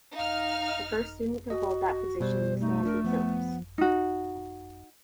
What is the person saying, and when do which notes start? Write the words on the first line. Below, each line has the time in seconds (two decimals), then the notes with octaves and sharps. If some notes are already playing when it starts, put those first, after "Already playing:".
The first student to hold that position was Sandy Phillips.
0.16 D#4 F5 F6
1.50 F#4 D#5
2.20 B2 G3 C5
2.60 A3 D#4
2.85 D4 A#4
3.05 F3 B3
3.78 D#4 F#4